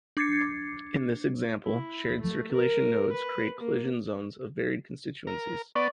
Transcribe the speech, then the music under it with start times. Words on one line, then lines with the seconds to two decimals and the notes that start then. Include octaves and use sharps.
In this example, shared circulation nodes create collision zones of varied constituencies.
0.17 D4 D6 G#6 A6 C7 C#7
1.65 E4
2.21 A3
2.52 A#4
3.12 B4
3.60 A#3
5.27 A#4
5.75 B3 D5 C#6